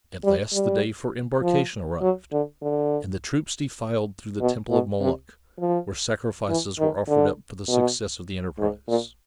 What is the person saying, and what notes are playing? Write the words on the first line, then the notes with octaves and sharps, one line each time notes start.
At last the day for embarkation arrived, and the troops defiled through the temple of Moloch, where sacrifices were offered up for the success of the enterprise.
G3
G3
F3
F#3
D3
D3
B2
B2
C3
F3
E3
D#3
D3
B2
G#2
A#2